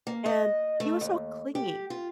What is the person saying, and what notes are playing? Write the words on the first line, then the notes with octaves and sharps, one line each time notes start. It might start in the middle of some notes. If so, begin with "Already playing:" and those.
and he was so clingy.
A#3
D#5
A3
D#2
G4
F4